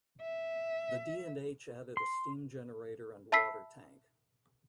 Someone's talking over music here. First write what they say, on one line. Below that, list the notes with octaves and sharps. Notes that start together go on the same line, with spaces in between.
The D and H added a steam generator and water tank.
E5
C6
E5 A5 B5 E6 B6 C7